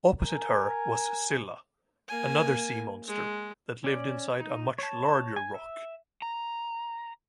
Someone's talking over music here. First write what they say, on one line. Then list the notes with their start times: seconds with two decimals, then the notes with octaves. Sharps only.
Opposite her was Scylla, another sea monster, that lived inside a much larger rock.
0.18 A#4 G#5
2.08 A#3 G#5
3.07 G#3
3.84 C#4 D5
4.40 D#4
4.79 C#5 A5
5.36 G#5
5.54 E5
6.22 A#5